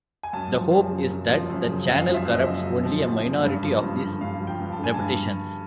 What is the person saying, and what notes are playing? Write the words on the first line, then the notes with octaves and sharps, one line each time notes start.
The hope is that the channel corrupts only a minority of these repetitions.
G#5
F#2 A5
F3
F#2
C#3
F#2
F3
F#2
C#3
F#2 F5
F3
E5
F#2
D#5
E5
C#3
F#2
F3
F#2
C#3
G2
F3
G2
D3
G2 F5
F3
G5
G2
A5
D3 G#5
G2 A5